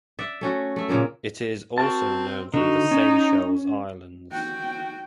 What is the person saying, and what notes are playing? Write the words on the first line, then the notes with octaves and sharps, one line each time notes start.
It is also known from the Seychelles Islands.
D5 E5 F#5
A3 C#4 F#4
A3 E5
A#2 C#3 A#3 A#4
C4 F#4 A#4 A5
D3 D#4 F#4
C#4
F#4 G5